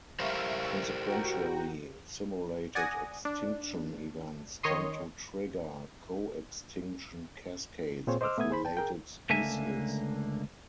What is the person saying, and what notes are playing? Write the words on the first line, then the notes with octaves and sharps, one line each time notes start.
Consequentially, simulated extinction events tend to trigger coextinction cascades of related species.
G4 A#4 C5 E5 F5 C#6
F#4 G5 A#5
D5 F#5 G#5 D#6 A#6
D4
D#3 C#5 D#5 C6
A#2 C4 F4 G#4 C5 C#5
C5 D#5 C6 D6 E6 F6
A3 B3 E5 D#6 G#6
G#4 C5 B5
G5 A5
G#4 A#4 G5
C#2 D3 A3 A#3 E5 G#5